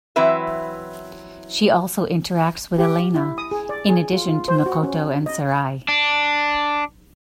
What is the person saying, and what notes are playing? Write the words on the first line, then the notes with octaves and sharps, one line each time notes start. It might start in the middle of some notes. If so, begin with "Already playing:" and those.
She also interacts with Elena, in addition to Makoto and Sarai.
E3 F#3 C4 E4 B4 E5
G4
E4
D#6
G#4
D5
G#4
F4
F4
C5
F#4
C#4
D#5
D4